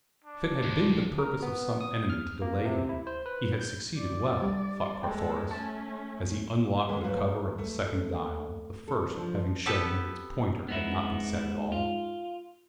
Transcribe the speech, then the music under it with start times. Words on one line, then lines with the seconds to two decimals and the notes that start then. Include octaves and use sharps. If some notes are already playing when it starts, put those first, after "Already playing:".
If it had been the purpose of some enemy to delay him, he had succeeded well, thought Carthoris, as he unlocked the cover of the second dial the first having shown that its pointer had not been set at all.
0.24 D4
0.63 D1 D2 D#3
1.18 A#4
1.42 B3
1.81 D#6
2.10 F6
2.42 A#3
2.65 C3
2.89 E4
3.07 C5
3.26 B4
3.61 G6
3.98 D5
4.42 G3
5.03 G#3 A4 G5
5.51 A3 C#4 A5
6.89 D#2 G#3 B4
7.03 G#2 F#3 A3 B4 F5
7.58 A3
8.88 A4
9.14 F3 D4
9.66 B3 G4 A4 B4 A5
10.68 G#2 B3 D#4 E4
11.72 F4